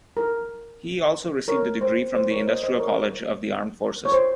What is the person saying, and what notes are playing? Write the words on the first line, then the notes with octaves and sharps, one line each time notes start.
He also received a degree from the Industrial College of the Armed Forces.
A#4
A#4 C#5
C5
C5
A#4 C#5
C5 D#5
C5 D#5
A#4 C#5
C#5
C5